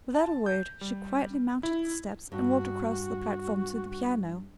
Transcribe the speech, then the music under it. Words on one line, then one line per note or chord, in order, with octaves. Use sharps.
Without a word, she quietly mounted the steps and walked across the platform to the piano.
A5
G6
G3
E4
G2 F#4